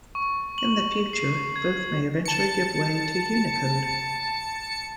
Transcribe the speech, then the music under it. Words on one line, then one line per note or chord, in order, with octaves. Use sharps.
In the future, both may eventually give way to Unicode.
C#6
F#7
C7
G#6
A5 C#7